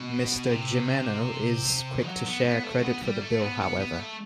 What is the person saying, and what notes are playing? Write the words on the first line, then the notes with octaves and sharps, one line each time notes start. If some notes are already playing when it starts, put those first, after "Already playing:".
Mr. Jimeno is quick to share credit for the bill, however.
Already playing: B2
C3
F#3
B3
B3
A3
B3
G3
A3
B3
B3
B3
A3